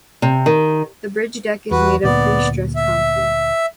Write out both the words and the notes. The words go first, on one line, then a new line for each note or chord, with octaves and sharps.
The bridge deck is made of pre-stressed concrete.
C3
D#3
E2 F#4 B4
D2 A#2 B3 D5
E5